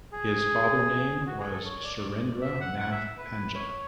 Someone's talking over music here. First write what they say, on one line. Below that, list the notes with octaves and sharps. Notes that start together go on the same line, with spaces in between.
His father name was Surendra Nath Panja.
G#4
F#4
G#4
A4
C#5
D5
E5
F#5
F#5
E5
B4
C#5